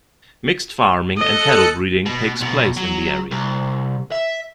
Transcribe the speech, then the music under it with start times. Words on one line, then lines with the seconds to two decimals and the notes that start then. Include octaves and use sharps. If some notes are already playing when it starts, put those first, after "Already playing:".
Mixed farming and cattle breeding takes place in the area.
1.18 A4 D#5 F#6 C#7
2.06 B2
2.41 C2 B2
2.77 F#3
3.31 C2
4.12 E5